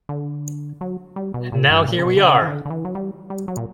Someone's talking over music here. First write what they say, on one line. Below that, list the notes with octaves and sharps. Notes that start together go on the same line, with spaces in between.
And now here we are!
D3
F#3
G3
B2
A#2
G2
A#2
C#3
B2
D3
C#3
E3
D3
D3
E3
F#3
G3
G3
F#3
A#2